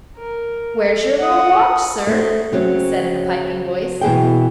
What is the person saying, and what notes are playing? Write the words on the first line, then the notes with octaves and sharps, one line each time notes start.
"Where's your little watch, sir?" he said in a piping voice.
A#4
A4
F#5 D#6
A3 C5
C#3 F#3 C4
B2 E3 G#4 G5